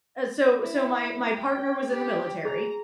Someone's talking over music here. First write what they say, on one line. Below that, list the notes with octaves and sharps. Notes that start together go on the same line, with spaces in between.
uh, so so my my partner was in the military
E4
G5
G4
G#4 A#5